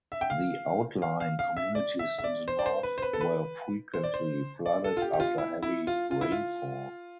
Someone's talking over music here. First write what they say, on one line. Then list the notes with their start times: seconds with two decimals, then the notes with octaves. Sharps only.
The outlying communities in the north were frequently flooded after heavy rainfall.
0.12 E5
0.21 G5
0.30 F5
1.02 F5
1.20 F5
1.39 F5
1.57 E5
1.75 D5
1.99 E5
2.18 E5
2.24 D5
2.48 C5
2.59 D5
2.66 C5
2.83 B4
2.98 C5
3.02 B4
3.13 A4
3.21 B4
3.94 C5
4.04 D5
4.14 C5
4.66 D5
4.84 A4
4.97 F4
5.02 G4
5.13 G4
5.20 F4
5.38 E4
5.63 E4
5.87 F4
6.11 F4
6.21 E4
6.32 F4